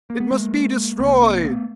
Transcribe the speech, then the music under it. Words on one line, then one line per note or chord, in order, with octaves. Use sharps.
"It must be destroyed!"
A#3
B3
G#3 A#3
C2 C3 A3 B3
A#3 C4
A3 B3